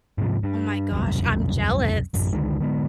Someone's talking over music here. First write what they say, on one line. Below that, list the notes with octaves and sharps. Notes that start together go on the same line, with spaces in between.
Oh my gosh, I'm jealous.
G#2 C3 F3
G2
E1 C2 F#2
A1 F#2 F#3
C#2 D3 D#3 G#3
D3 G#3 B3